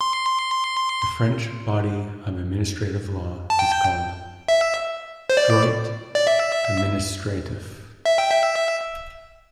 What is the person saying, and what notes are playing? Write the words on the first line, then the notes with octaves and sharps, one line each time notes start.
The French body of administrative law is called "droit administratif".
C6
A5
G5
E5
C5
D5
D5
E5
E5
G5
E5